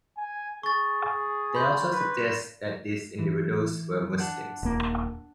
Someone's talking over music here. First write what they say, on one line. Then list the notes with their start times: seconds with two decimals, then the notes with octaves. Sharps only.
They also suggest that these individuals were Muslims.
0.17 G#5
0.63 G#4 C#6 A6
1.03 G#4
1.55 B5 C6 G6
1.92 B4
3.18 E3
4.19 D4 F#5 A5
4.63 D#1 A#3